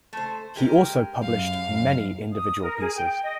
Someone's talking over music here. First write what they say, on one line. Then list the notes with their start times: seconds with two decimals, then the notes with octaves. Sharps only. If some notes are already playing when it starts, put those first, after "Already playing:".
He also published many individual pieces.
0.13 A3 C5
0.55 G#3 G4 A#4
1.22 F#2 F5
2.32 D#6
2.63 A#4
2.79 G#4
2.95 G5
3.22 D#5